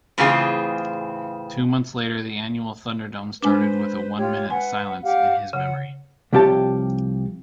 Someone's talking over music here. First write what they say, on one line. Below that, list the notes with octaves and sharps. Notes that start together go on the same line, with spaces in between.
Two months later the annual Thunderdome started with a one-minute silence in his memory.
A2 C#3 E3 C4 F4 G#4
G#3 D4 B4 C5
F4 G4 C#5
B4 F#5 G#5
G4 F5 F#5
C#3 F#5
C2 C3 F3 G4 C#5 A5